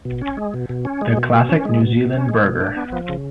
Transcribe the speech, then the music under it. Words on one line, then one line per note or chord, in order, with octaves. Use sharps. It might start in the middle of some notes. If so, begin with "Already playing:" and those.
The classic New Zealand burger.
B2
C#4
G#3
B2
B2
C#4
G#3
B2
B2
C#4
G#3
B2
B2
C#4
G#3
B2
D4
B3
F3
C#3